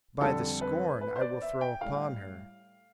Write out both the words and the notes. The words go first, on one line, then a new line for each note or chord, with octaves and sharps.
"By the scorn I will throw upon her."
F2 D3 G3 A4
B4
B4
C5
D5
E5
G5
A2 G3 F5